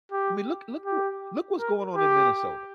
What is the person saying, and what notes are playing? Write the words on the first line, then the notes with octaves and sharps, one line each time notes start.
I mean, look look who Look what's going on in Minnesota,
G4
G4
A#4
G4